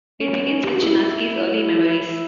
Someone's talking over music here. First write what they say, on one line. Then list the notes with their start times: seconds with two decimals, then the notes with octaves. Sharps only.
It begins with Chinaski's early memories.
0.21 C#4
0.64 G4
0.75 F#4
0.83 E4